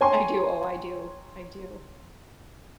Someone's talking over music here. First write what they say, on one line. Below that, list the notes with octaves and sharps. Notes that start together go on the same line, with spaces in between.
I do. Oh, I do, I do.
C#5 G5 G#5 A#5 C6